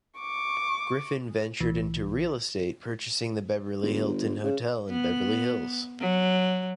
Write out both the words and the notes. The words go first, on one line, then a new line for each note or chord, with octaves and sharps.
Griffin ventured into real estate, purchasing the Beverly Hilton Hotel in Beverly Hills.
C#6 D6
B1 E3
G1
C#3
B3
F#3